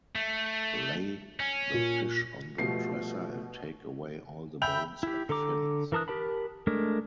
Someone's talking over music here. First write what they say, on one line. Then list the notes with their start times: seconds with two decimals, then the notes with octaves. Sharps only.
Lay the fish on the dresser and take away all the bones and fins.
0.15 A3
1.40 C#4
1.74 A#2
2.58 B2 F3 G3 A3 C7
4.62 E5 G5 B5 G6 F7
5.03 E4 G4
5.29 D3 A4 A#5 D6
5.92 E3 A#4 A5 D#6 F#6
6.08 G4 A#4 A5 B5
6.67 G#3 A3 D4 A#4